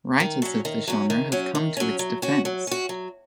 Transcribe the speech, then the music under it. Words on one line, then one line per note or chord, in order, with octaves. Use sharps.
Writers of the genre have come to its defense.
D#3
F#3 C#4
D#3
F#3 C#4
D#3
F#3 C#4
D#3
F#3 C#4
F#3
C#4 F#4
F#3
C#4 F#4
F#3